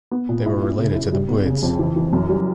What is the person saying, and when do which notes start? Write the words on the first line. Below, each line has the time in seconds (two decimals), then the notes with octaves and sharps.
They were related to the Buyids.
0.11 B3
0.29 A#2
0.46 E4
0.62 E4
0.79 C#3
0.95 E4
1.13 G3
1.28 B3
1.46 C#3
1.62 F2
1.79 E3
1.96 E3
2.13 F#2
2.29 G3